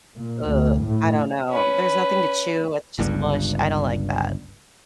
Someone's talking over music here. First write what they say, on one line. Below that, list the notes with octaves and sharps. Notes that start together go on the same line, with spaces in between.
ugh, I don't know. There's nothing to chew. It's just mush. I don't like that.
A#2
D2
A2
C#4 B4
G1 C#2 G2